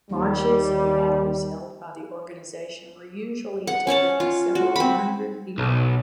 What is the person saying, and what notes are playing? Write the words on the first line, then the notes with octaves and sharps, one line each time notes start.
Marches and rallies held by the organization were usually attended by several hundred people.
D#2 G3
F#5
C#4 C#5 F#5 A5
F4
F#4
C4 B5
B1